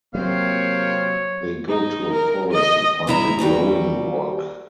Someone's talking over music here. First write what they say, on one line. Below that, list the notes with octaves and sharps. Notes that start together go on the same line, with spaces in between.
They go to a forest and find a glowing rock.
C3 F#3 A#3 C4 C5 C#5 F5
D#4
A#4
D#5
G2 G#3 E4 E5 A#5
D#2 G3 F#4 G5